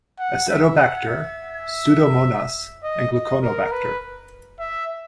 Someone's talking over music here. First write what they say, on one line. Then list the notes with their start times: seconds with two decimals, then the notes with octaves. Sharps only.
"Acetobacter", "Pseudomonas" and "Gluconobacter".
0.19 F#5
0.49 E5
0.78 F#5
1.08 E5
2.83 D#5
3.12 D#5
3.42 A#4
3.71 B4
4.59 E5